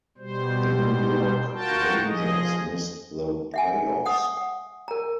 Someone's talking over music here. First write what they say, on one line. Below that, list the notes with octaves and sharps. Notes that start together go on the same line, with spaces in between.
The New York Rangers missed the playoffs.
B2 G3 C5
F4 F#4 A#4 G5 A5
F3 G#4 D#5
E5 F#5 G#5
F#5 D#6
F#5
A#4 A#5